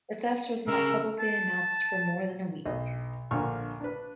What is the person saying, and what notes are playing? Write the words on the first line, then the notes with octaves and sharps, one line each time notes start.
The theft was not publicly announced for more than a week.
C#3 A#4 E6
A5
B1 D#5
A#1 A#2 D3 C#6 F6
D4 B4